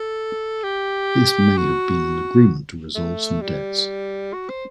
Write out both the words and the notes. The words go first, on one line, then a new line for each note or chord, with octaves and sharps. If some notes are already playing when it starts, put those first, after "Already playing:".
This may have been an agreement to resolve some debts.
Already playing: A4
G4
F#4
A3
G3
F#4
C5